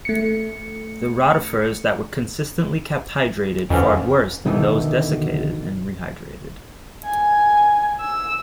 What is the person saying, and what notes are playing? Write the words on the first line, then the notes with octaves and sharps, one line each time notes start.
The rotifers that were consistently kept hydrated fared worse than those desiccated and rehydrated.
A3 C#7
F2 D3 E3 C#4
D2 B2 D#3 E3
G#5
E6